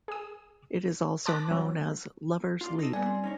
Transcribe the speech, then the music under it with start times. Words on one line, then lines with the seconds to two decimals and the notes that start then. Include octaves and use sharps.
It is also known as "Lover's Leap".
0.08 G#4 D#6
1.25 C5 A5 D6 F#6 A6 A#6
1.51 F#3 C4 F#4
2.61 F4 D5
2.79 D#4 A4
2.93 A#2 G3 B3 D5 G#5
3.06 C4
3.24 C#4 D#4 C#5